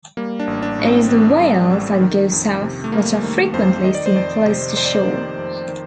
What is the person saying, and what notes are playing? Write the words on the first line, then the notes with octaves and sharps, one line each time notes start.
It is the whales that go south that are frequently seen close to shore.
G3 A#3
D4
A1
D4
A2
C4
A1
G3
A1
D#3
F2
C3
A3
G3 A#3
D#3
F2 C5
D#3 D#5
D5
C5
F2 D5
C3
F2 C5
D5
C5
D#3
F2
D#3